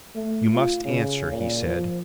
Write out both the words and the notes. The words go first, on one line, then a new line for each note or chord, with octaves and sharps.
"You must answer," he said.
A3
F4
C#3
A#2
F3